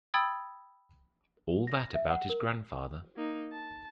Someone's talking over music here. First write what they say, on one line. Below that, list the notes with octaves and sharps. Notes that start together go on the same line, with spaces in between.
All that about his grandfather?
G5 B5 D#6 E6 G#6 A6
A#6
E5
F#5
A#4
A#3 D#4
A5